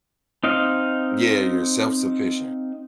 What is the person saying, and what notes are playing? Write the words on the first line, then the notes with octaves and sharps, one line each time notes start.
Yeah. You're self-sufficient.
C4 D#4 D#5 F5